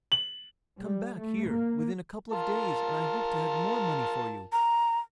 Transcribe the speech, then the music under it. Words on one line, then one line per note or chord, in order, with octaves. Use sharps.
Come back here within a couple of days and I hope to have more money for you!
F#7
G3
A3
A#3
F4 A#4 A5
A#5